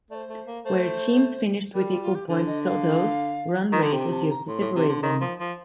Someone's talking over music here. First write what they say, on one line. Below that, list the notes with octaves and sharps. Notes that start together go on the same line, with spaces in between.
Where teams finished with equal points totals, run rate was used to separate them.
A3 C5 D5
A3
A#3
A3 C5
G3 A#4
F4
F4
G4
D3 C5
D#5
F5
D#3
D3
C3 G5
A5
A#5
A2 C6
A2
C3
D3
D#3
F3
F3